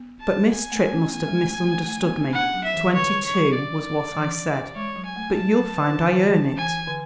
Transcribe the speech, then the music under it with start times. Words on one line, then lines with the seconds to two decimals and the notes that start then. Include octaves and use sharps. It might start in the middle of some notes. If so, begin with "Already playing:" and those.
But Miss Tripp must have misunderstood me; twenty-two was what I said, but you'll find I earn it.
Already playing: B3
0.21 A5
0.52 B3 G#5
0.72 A3
0.92 C#4
1.12 B3 G#5
1.27 G#3
1.42 A3
1.73 A3
1.88 A3
2.03 B3
2.18 C#4
2.33 B3 D4 F#5
2.54 F#3
2.64 E5
2.74 E3
2.93 D3 C#5
3.24 C#5
3.34 F#3
3.54 D5
4.15 E3
4.75 G#3 C#5
4.96 F#3
5.06 G#5
5.16 A3
5.35 G#3 A5
5.56 F#3
5.77 D3
5.88 E3
6.01 D3
6.13 E3
6.25 D3
6.57 E3 G#5
6.87 D3